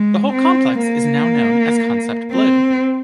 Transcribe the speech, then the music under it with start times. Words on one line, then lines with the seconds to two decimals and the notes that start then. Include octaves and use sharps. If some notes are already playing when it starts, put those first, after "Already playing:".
The whole complex is now known as "Concept Blue".
Already playing: G#3
0.33 C4
0.82 A#3
2.31 C4